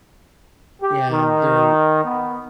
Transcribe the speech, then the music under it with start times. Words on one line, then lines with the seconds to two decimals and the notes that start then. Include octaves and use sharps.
and they're
0.82 G4
1.10 D#3
2.04 B3